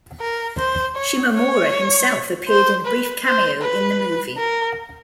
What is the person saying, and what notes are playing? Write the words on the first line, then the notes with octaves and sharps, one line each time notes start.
Shimomura, himself, appeared in a brief cameo in the movie.
A#4
C5
C#5
C#5
C5
B4
C5
B4
A#4